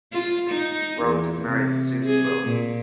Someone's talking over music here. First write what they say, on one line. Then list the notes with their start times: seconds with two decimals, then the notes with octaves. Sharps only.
Grant is married to Susan Grant.
0.12 F4
0.50 D#4
1.03 E2
1.44 C3
2.05 G#4
2.45 A#2